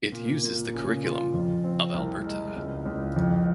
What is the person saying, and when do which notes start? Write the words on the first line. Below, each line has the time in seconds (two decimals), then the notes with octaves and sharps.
It uses the curriculum of Alberta.
0.12 A#2
0.43 A#2
0.74 C#3
1.04 F4
1.34 F2
1.64 C4
1.94 C2
2.26 G#3
2.56 C#2
2.85 C#2
3.16 F2